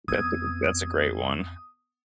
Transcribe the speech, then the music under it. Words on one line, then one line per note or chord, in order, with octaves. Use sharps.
That's a good that's a great one.
F2 B3 C4 D#6 E6 G#6